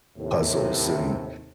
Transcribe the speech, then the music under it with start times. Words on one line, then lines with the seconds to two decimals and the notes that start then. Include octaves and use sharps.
puzzles and
0.18 D#2 A2 C3